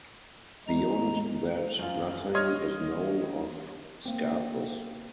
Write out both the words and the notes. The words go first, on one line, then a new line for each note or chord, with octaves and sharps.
Beyond that, nothing is known of Scarpus.
E2 G#3 A#5
F#2 F4
C#5 D#5 C6 F6 G#6
A#3 C4